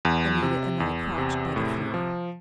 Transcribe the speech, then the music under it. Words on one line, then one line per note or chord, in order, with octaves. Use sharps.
Anita and I crouched by the floor.
E2
C3
E2
C3
A2
F3